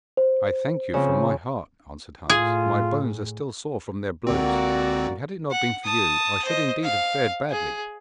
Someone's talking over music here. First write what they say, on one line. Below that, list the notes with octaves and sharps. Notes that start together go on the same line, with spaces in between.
'I thank you from my heart,' answered Hans. 'My bones are still sore from their blows, and had it not been for you I should indeed have fared badly.'
C5
C#3 F3 C4
A2 F4 G#4
C#2 D3 A#3 C4 F#4 D5
F#5
A5 D#6
C5 D#5
F5
G#4